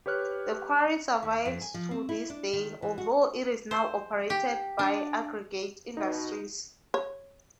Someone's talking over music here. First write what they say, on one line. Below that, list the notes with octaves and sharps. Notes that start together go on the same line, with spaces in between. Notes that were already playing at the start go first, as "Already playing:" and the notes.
The quarry survives to this day, although it is now operated by Aggregate Industries.
G4 B4 C#5 F6 F#6
D#2
F2
G#5
F3
C4
E4
D4
D#3
E3
F#4
C5
G4
D4
B2 D#4
C#5